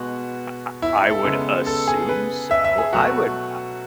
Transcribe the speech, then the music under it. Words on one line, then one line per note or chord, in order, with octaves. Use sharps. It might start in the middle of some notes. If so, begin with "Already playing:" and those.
I I I would assume so. I would, uh
Already playing: B2 G#3 B3 F#4
E4
E4
A4
C#3 G#3 B3
A4
G#4
B4
E5
E5
G#4
B2 F#3 A3 F#4